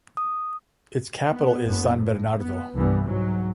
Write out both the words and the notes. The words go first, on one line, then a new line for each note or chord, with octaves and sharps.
Its capital is San Bernardo.
D#6
B3
F#1 B3
A2
B3
C2 G2 E3 G3 B3
G#2 F#3